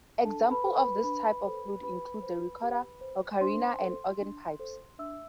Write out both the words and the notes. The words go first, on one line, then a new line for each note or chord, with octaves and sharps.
Examples of this type of flute include the recorder, ocarina, and organ pipes.
D4 A4 A5
B4 B5
A4 C5
B4 B5
D4 B4 B5
A4 C5
G4 B4 B5
C5
G4
C5
D4 C5 C6
A4 C5
D4
A4 C5
D4 E5 E6